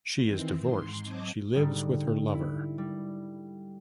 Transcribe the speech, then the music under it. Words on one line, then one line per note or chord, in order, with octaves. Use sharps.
She is divorced : she lives with her lover.
D#3 E3 C4
G#2 C6
F#3 C4 D#5 A5 D6 G#6
G#2 D3 G3 D#4 G4
E4
G3